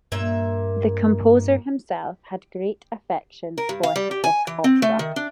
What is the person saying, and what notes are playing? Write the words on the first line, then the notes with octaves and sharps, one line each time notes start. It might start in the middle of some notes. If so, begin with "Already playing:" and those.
The composer himself had great affection for this opera.
G2 A#2 A#3 E5
A#4
G2
F5
G3
G4
G#5
E3
C4
A3
D#3
D4